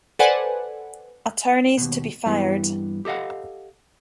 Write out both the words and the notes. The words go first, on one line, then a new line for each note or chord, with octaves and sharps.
Attorneys to be fired.
A4 B4 C5 D5 F#5 G#5
D#2 B2
G2 E3 B3
G4 A4 D#5 F5 F#5